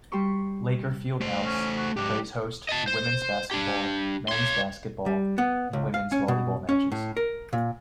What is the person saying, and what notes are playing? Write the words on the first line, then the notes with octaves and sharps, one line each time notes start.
Laker Fieldhouse plays host to Women's Basketball, Men's Basketball, and Women's Volleyball matches.
G3 G4 C6 C#6
A3 C5
C#4
F#4
G#2 D4 G4
D#5 A5
C5
D4 G4
C#5 C6
G3
B3
C#2
F5
C#4
B2
C#4
A2
A#4
A#2